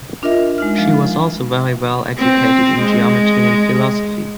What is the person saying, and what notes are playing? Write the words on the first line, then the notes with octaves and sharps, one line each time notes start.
She was also very well educated in geometry and philosophy.
D4 F4 A#4 D#5 E5
G#3 D#4 F6
F3
C4
G#3